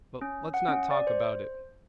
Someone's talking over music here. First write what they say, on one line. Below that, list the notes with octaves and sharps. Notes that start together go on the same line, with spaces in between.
But let's not talk about it.
C#4
F#5
C#4
D5
C5